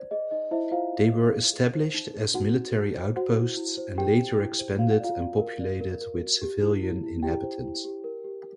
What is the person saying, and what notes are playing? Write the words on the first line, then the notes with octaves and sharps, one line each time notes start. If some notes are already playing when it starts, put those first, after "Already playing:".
They were established as military outposts and later expanded and populated with civilian inhabitants.
Already playing: C5 D5
G#4 D#5
D#4 D#5
E4 C5 E5
F4 C5 F5
D#4
G#4
G#4
G#4
C5
D#4
G#4
D#4 F#4 F#5
D#4
D#4
C5
F#4 C5 F#5
E4
E4
C5
G4 G#4 G5
G#4
E4
C5
F#4 F5
F#5
F4 D5 F5
D5
A#4
D5
A#4
A#4
F#4
G4
E4
E4
E4
E4 G4 G5
C5
E4
G4
A#4
G4